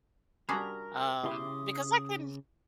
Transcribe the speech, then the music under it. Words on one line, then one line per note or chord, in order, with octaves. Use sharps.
um, because I couldn't,
G3 D4 F#4 G#4 A#4 A#5 B5
C#3 E4 G4 C6 D6 D#6